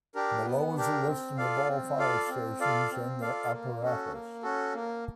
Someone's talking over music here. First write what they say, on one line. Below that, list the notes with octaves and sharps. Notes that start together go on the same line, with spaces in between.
Below is a listing of all fire stations and their apparatus.
D4 G4 A#4
B3
D4 G4 A#4
C4
F4 A4 D5 F5
C4
F4 A4 D5 F5
C4
F4 A4 D5 F5
C4
F4 A4 D5 F5
A#3
C#4 F#4 A4
A#3
C#4 F#4 A4
A#3